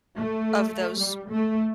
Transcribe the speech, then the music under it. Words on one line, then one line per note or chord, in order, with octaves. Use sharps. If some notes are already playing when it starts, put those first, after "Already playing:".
of those
A3
G3
A3